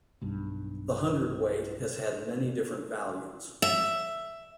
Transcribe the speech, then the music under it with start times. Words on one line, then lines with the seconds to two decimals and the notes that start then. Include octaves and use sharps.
The hundredweight has had many different values.
0.21 B1 G2
3.62 E5